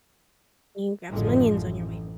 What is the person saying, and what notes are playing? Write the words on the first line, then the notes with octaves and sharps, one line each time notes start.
"Can you grab some onions on your way home?"
A1 F#2 A2 D3 F3 G#3
A1